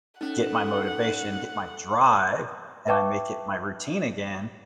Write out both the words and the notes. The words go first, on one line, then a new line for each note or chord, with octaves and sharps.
get my motivation, get my drive, and I make it my routine again,
A3 C#4 D#4 F#5
B4 E5 G5 A5 C#6 D6